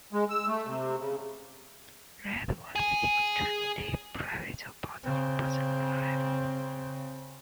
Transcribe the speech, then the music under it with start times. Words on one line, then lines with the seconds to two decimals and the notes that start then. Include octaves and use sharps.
Ride was extremely private about her personal life.
0.13 G#3
0.30 E6
0.47 A3
0.67 C3
0.99 C#3
2.75 G#4 G#5
5.03 C#3 C4